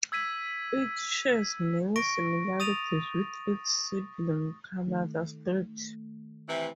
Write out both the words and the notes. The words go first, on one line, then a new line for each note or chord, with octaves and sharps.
It shares many similarities with its sibling Kannada script.
E6 G#6 B6 D#7
C#6 A#6 D7
D#6 A6 D#7 F7
D#3 A3
C3 E3